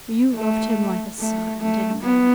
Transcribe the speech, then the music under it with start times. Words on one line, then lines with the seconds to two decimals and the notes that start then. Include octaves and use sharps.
You loved him like a son; didn't you?
0.35 A3
1.19 A3
1.61 A3
2.03 B3